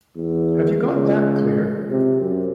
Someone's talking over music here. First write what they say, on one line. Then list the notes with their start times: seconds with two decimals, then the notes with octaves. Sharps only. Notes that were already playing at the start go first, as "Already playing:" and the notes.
Have you got that clear?
0.16 E2
0.83 C#2
1.90 C3
2.21 F#2